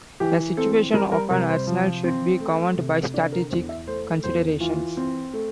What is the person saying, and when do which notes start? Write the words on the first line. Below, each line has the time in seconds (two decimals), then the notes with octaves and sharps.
The situation of an arsenal should be governed by strategic considerations.
0.20 E3 G4
0.57 C4 A4
0.94 G3 A#4
1.12 A#4
1.31 C3 A#4
1.49 C5
1.67 F3
2.04 C4
2.40 A3
2.77 C3
3.14 D3 D5
3.32 A#4
3.50 E2 C5
3.69 E5
3.87 A3 C5
4.24 E2 C5
4.60 E3 F4
4.97 C4
5.33 A3